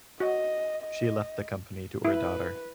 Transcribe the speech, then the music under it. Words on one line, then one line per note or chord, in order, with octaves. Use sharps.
She left the company to her daughter.
F#4 D#5
D#5
E4 B4